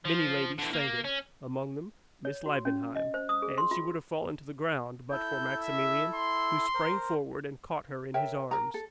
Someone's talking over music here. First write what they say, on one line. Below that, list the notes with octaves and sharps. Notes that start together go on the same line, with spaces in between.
Many ladies fainted; among them Miss Liebenheim--and she would have fallen to the ground but for Maximilian, who sprang forward and caught her in his arms.
F3
D3 E3
A#3
C#4
C#5
F#4
C#4
D#5
C5
D#6
G#4
C6
F4
E4 A4 G6
E5
C6
A#4 C5
A#4 C#5 E5 G5
A#4 A#5
A4